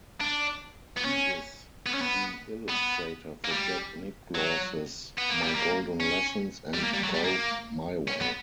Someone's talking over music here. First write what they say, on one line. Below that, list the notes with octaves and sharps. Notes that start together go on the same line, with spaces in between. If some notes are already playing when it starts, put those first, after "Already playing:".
He is the illustrator for Jack Nicklaus's "My Golden Lessons" and "Golf My Way".
D4
B3
C#4
B3
C#4
B3
B3
A#3
G3
F#3
B3
A#3
G3
A#3
C#4
G3
A#3
G3
F#3
G3
A#3
C#4
B3